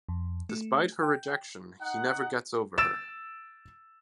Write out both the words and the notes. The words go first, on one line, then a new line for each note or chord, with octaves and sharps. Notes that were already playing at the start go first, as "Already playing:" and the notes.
Despite her rejection, he never gets over her.
F2
A3
G5
D#4 F#5
E6 A6 D7 E7